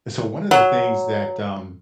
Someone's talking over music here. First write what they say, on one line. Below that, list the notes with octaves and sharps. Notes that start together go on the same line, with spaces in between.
So, one of the things that, um,
F#3